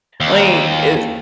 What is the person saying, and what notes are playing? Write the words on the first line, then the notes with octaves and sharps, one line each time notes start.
Wait, is
D#2